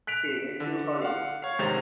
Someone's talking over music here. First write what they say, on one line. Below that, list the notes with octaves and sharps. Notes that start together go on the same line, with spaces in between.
He went to Holland.
F#6 B6 D7 F7
D3
F5 F#5
C#5 F5
G#2 C3 D#3 C5 A6 F7